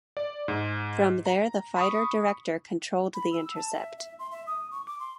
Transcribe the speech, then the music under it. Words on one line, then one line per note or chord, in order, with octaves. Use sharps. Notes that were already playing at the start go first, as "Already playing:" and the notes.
From there the fighter director controlled the intercept.
D5
G#2
A#5
B5 C#6 D#6
B5
E6
A5
E5
E5
C6
E5
D#6
C#6
D6
C6